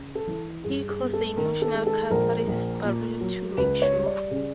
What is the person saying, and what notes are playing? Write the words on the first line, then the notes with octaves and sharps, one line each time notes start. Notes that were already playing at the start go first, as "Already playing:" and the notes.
He calls the Emotional Catharsis Bureau to make sure.
Already playing: C#3
A4
E3
G2 G#4
G#4
B3
A4
D#3 A#4
A4
G#3
A4
A#1 A#4
A#1
A#2
F#3
C#2 B4
C#5
G3
D5
C#3